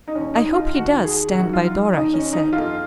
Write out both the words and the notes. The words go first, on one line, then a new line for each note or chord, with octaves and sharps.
"I hope he does stand by Dora," he said.
D#4
D#2 D#3 C#4
D#4
F4
D#2 D#3 F#4
G#4
F#2 D#3 F#4
F4
D#2 D#3 D#4
C#4
D#4
F2 D#3 F4